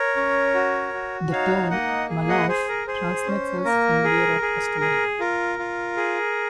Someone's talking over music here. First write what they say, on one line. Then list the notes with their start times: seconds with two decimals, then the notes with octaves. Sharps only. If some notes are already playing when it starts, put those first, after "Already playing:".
The term "malouf" translates as "familiar" or "customary".
Already playing: A#4 C#5
0.16 C#4
0.54 F#4
0.94 F#4
1.32 D#4 C#5 F5
1.70 A#3 D#5 F#5
2.09 G#4
2.28 D#5 F#5
2.49 G#4 C5
2.68 A#4
2.87 G#4 C5
3.26 C#4
3.64 A#3 A#4
4.04 G#4
4.42 G#4
4.81 G#4
5.20 F4 A#4
5.59 F4
5.97 G#4